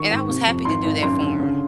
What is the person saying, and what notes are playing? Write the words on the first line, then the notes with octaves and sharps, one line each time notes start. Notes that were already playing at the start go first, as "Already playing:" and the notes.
And I was happy to do that for him.
Already playing: D#3 C#6
G#2
C3
F2
G#1 C6
G#1
F#2 C6
D3
C#3